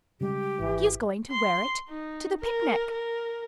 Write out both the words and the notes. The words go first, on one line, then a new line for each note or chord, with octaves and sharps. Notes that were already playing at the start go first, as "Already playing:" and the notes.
She is going to wear it to the picnic.
C#3 G3 G#3 G4
G#1 E3
C6
D#4
A#4
A#4